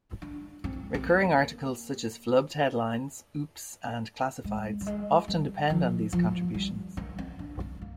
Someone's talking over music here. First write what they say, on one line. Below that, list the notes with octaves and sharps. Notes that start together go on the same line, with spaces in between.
Recurring articles such as "Flubbed Headlines", "Oops", and "Classifieds" often depend on these contributions.
D4
C4
C4
A#3
G#3
G3
G#3
G3
F3
F3
G3
A#3
C4
D4
C4
A#3